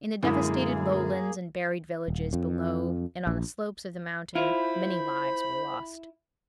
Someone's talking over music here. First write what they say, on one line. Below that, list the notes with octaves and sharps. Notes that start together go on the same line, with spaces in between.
In the devastated lowlands and buried villages below and on the slopes of the mountain many lives were lost.
F#2 A#2 D3 G#3 A#3 E4 G#4 D#6
D#1
F2
A#1
E4 F4 C5 B5